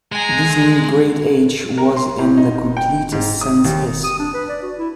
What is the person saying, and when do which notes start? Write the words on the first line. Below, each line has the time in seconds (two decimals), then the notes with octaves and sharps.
This new great age was in the completest sense his.
0.12 G#3 G#5 A#5
1.78 A#4
1.96 C6
2.19 A2
2.37 D#4
2.77 G5
3.12 G#2
3.41 D#6
3.65 D#2
4.04 D#6
4.19 D4
4.34 B4
4.49 D5
4.62 F#4
4.78 E4